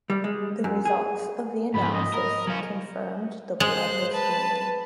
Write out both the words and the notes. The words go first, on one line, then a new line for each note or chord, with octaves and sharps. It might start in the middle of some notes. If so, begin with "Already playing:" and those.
The results of the analysis confirmed the blood was human.
G3
G#3
F#2
G#4
G#2 F3 B5
D#5
A#4 D#5
F#3 C#4 F5
G#3 C5 F#6
B4 A5